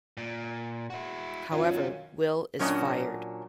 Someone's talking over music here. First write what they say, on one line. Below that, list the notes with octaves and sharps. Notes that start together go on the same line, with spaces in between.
However, Will is fired.
A#2
E4 F#4
B2 D#3 F#3 C#4 F4
A#2 F#3 C#4 D4 C#5 D#5